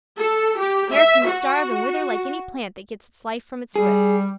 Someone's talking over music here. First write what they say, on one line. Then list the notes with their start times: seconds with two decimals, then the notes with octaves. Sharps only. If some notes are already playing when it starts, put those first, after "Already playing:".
Hair can starve and wither like any plant that gets its life from its roots.
0.18 A4
0.57 G4
0.92 E5
1.25 F#4
3.76 G3 G#4